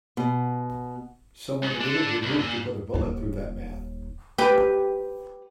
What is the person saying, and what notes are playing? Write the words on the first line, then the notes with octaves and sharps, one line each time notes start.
Someone immediately moved to put a bullet through that man.
B2
G#2
D4 A4
C2
A#2
D#1 D#2
G4 B4